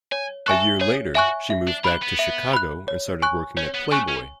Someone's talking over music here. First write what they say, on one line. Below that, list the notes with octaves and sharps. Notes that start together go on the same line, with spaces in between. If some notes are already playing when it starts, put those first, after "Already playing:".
A year later, she moved back to Chicago and started working at "Playboy".
C#5 G#5
A4 E5 G#5 C#6 F#6
G#4 C#5
F#4 E5 G#5 C#6 F#6
E5
D4
D4 B5 F#6
B3
E5
B5 F#6
C#5
G#5 C#6 F#6
C#4 C#5
B3
A3 G#5 C#6 F#6
C#4